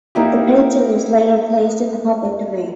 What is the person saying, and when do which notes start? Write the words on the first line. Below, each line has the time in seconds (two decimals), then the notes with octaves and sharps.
The patent was later placed in the public domain.
0.15 A#3 D#4 E4 G4